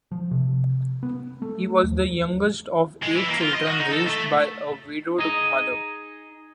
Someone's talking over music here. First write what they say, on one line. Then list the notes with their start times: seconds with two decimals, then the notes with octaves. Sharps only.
He was the youngest of eight children raised by a widowed mother.
0.12 F3
0.31 C3
1.03 B3
1.42 A3
1.83 D#2
3.03 G#3
3.16 E3
3.29 A#3
3.42 F4
3.55 D#5
3.68 F#4
3.80 D#4
3.92 A4
4.07 A3
5.18 D#4 G#4 D#5